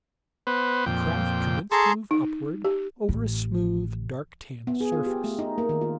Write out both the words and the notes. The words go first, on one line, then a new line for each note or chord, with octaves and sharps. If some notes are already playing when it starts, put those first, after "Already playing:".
The craft commenced to move upward, over a smooth, dark tan surface.
B3 B4 C5
F2 A#2 G5
G#4 A4 A5 A#5 C6 C#6
D#4
G4
A1
B3
G#4
F4
G4
A3
D#4
A#3
D#3
F4